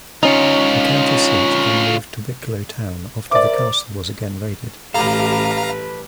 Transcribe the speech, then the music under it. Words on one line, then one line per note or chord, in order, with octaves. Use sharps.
The county seat then moved to Wicklow town after the castle was again raided.
C#4 D#4 F4 C#5
A#4 C5 D5 E5 D6
A1 G3 G4 A4 B4 F5 A#5